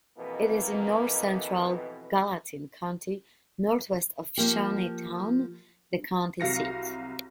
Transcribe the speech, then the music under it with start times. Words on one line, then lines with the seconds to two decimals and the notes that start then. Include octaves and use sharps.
It is in north-central Gallatin County, northwest of Shawneetown, the county seat.
0.17 F2 B2 E3 A#3 B4 D#5
4.38 F3 A#3 G4
6.40 C2 F#3 F5 A#6 C#7